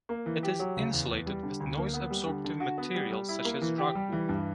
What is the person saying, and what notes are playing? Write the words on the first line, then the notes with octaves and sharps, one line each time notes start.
It is insulated with noise absorptive materials such as rock wool.
A#3
E3
G4
F#3
C#3
E2
E2
G3
D3
D2
A#3
B3
G3
D3
D3
F#4
B3
G3
G3
E4
A#3
E3
G4
G3
E3
G2